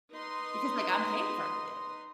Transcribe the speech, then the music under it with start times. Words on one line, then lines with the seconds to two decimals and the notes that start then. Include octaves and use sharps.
because, like, I'm paying for everything."
0.11 D#4 B4 D#5 C6